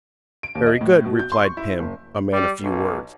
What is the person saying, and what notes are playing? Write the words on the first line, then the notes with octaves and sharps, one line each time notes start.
"Very good," replied Pim, a man of few words.
D7
D#2
D#5
A2
B2
G6
C6
C#6
E4
F#1
G3
B1